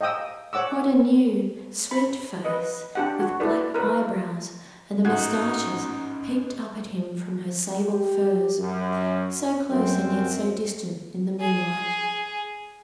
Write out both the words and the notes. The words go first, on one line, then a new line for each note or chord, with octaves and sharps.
Quite a new, sweet face with black eyebrows and mustaches peeped up at him from her sable furs--so close and yet so distant--in the moonlight.
D#5 F5 G5 D#6 E6
C#5 F#5 D6 E6
B5
B4 D#5
D4 G4 F#5
F#4
E4 A4 B4 D5
A#4 B4
A1 G#2 C#4 D#4 F#4 G#6
G4
F#2
F#2 C4
G#4